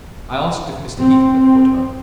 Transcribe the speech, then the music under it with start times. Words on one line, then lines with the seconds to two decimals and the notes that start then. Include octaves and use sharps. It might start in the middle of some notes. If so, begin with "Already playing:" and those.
I asked if Mr. Heathcliff were at home?
0.99 C4